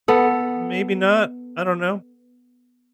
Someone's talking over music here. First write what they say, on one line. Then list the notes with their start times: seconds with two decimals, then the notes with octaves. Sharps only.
Maybe not. I don't know."
0.08 B3 A4